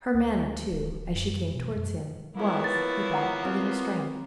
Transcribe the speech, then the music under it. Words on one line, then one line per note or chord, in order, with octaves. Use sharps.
Her manner, too, as she came towards him, was, he thought, a little strained.
D2
D1
D1
F#2
B2
F#2
F3 A#3 B3 E4 C#5
B4 A6
F#5 A#5
C4